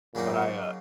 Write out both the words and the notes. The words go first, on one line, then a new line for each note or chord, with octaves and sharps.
but I, uh,
A#2 C#3 F#3 A#3 D#4